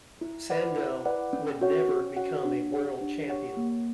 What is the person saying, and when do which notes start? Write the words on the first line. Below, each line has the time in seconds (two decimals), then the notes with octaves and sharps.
Sandel would never become a world champion.
0.21 E4
0.50 B4 D5 F#5
0.78 E4
1.05 B4 D5 F#5
1.33 C#4
1.61 F#4 C#5 F#5
1.89 C#4
2.16 F#4 C#5 F#5
2.45 D4
2.72 G4 C#5 F#5
3.01 D4
3.29 G4 C#5 F#5
3.57 A#3